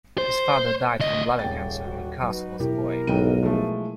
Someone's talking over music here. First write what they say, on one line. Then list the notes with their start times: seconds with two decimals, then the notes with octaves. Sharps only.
His father died from bladder cancer when Carson was a boy.
0.18 C5
1.00 D2 D#5
1.39 D#1 F#2 A2 C#3 G5 A6
1.85 F#4
2.23 F#3 D#4 F#4 B4
2.60 B2 E4 G4 A#4
3.07 B1 G#2 G5 D#7
3.43 F3 G#3 A3